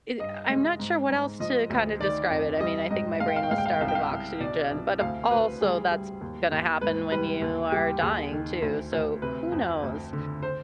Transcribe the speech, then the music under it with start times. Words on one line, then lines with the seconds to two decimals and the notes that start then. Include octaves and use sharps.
eh e uh I'm not sure what else to kinda describe it, I mean, I think my brain was starved of oxygen, but of also that's gonna happen when you are dying, too, so who knows?
0.20 G2 D#5
0.49 G#3
0.79 G#2
1.10 G#2
1.40 F3 D#5
1.70 D2
2.00 D#3 D5
2.30 F2
2.60 G3 D#5
2.90 G#2 D#5
3.20 G#3 F5
3.28 G5
3.36 F5
3.43 G5
3.51 G#3 F5
3.58 G5
3.66 F5
3.73 G5
3.81 C2 F5
3.88 G5
3.95 F5
4.11 C2
4.40 B2 D5
4.71 C2
5.01 D2 F5
5.31 D2 B4
5.61 G3 G#4
5.91 G3
6.21 D#2
6.52 D#2
6.81 G#2 B4
7.12 G3 B4
7.42 D#2
7.72 G3 G4
8.01 D#2 G#4
8.32 D#3
8.62 D2
8.92 D2
9.22 C3 B4
9.52 F2
9.83 D2
10.13 D3
10.43 C5